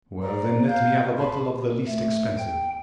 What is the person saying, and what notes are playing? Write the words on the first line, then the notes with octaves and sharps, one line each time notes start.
"Well, then, let me have a bottle of the least expensive."
C5 D5 A#5
F5 A#5 F#6 G6
A5 B5 C6
A3
G5